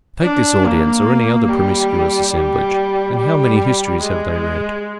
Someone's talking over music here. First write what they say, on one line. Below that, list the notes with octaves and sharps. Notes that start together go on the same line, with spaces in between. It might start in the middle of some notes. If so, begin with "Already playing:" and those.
Take this audience, or any other promiscuous assemblage, and how many histories have they read?
D4
A#3
G3
G3
G3
G#3